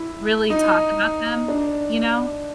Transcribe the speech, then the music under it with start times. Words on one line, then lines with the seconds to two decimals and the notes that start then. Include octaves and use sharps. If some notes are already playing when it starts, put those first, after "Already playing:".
really talk about them, you know?
Already playing: E4
0.50 D#4
1.48 D4